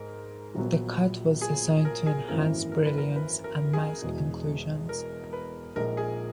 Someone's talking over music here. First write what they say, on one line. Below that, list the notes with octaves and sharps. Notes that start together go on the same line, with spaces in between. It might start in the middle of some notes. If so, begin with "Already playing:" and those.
The cut was designed to enhance brilliance and mask inclusions.
Already playing: G#2 A#4
A#1 A#2 F#3 B3
G#4
A#4
G#4
G#1 F#2 E3 A#3 E4 A#4
A#4
B4
A#4
B4
A#4
G#4
E1 E2 B2
A#4
B4
A#1 A#2 G#3 D#4 A#4
G#4